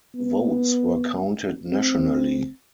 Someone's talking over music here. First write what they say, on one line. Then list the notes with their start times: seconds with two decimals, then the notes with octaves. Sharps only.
Votes were counted nationally.
0.15 B3
1.68 C4